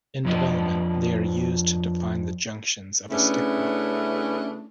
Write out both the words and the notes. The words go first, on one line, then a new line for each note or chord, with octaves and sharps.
In development, they are used to define the junctions of a stick model.
F2 F3 D4 D#5
C#3 A3 B3 C#4 D4 E4